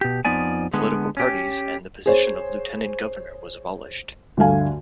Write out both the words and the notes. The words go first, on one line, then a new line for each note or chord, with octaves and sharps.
Political parties and the position of Lieutenant Governor was abolished.
B2 G4
F2 F3 B3 D#4 D5 G#5
D3 G#3 B3
C#4 G4
G#4 C5 C#5
D2 G2 D3 F5 G#5